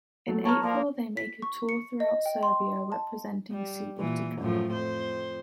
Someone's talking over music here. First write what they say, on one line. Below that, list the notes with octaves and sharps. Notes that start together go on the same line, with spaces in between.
In April they make a tour throughout Serbia representing Subotica.
F#3 A3
C#5 A5 A#5 F6
F3 A#3 D5
B6
C#6
C#7
D#5
G5
C6
A5
G3
A#2 E3
F#2 A2 F3
F2 C5